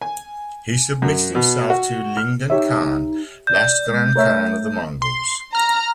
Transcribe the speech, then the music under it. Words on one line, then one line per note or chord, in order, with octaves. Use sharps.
He submitted himself to Ligdan Khan, last grand khan of the Mongols.
G#5
F#2
B2
F#4
F6
D#4 G4 C#5 E5
D5 G6
G#3
A3 A#4 C#5 E5
C6
A#5 F6